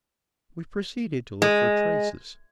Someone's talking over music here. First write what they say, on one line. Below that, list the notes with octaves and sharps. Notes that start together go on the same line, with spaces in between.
We proceeded to look for traces.
G#3